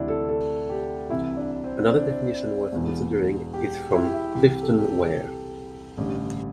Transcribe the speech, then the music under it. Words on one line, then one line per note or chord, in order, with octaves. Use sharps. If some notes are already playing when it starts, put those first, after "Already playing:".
Another definition worth considering is from Clifton Ware.
Already playing: D2 C3 E3 D4 E4
A4
A4
G4
C2 C3 E3 E4
D4
C4
D4
E1 E2 E3
G4
E4
G4
E4
C2 C3 E3 G4
A4
G4
A4
A1 G2 D3